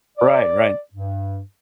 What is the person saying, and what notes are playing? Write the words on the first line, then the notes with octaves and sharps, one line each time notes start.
Right, right.
D5
G2